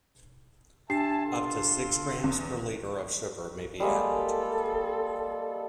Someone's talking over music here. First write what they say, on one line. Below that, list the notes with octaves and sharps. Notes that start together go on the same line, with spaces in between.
Up to six grams per litre of sugar may be added.
D4 G4 E5 G#5 A5 C7
F4 A4 C6
E2
G3 G#3 A#3 A4